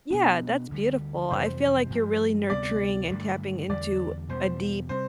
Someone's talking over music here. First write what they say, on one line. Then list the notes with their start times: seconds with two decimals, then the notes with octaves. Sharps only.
Yeah, that's beautiful. I feel like you're really nurturing and tapping into a deep,
0.11 B2 B3 D4
0.70 D2 D3 G3
1.30 F2 C3 E3 G3 C5
1.90 G2 F3 A3
2.50 D2 C3 G3 B3 D5
3.10 G2 D3 A3
3.69 E2 D3 G3 D5
4.29 E2 B2 G3 C5
4.89 C3 G3 C4 C5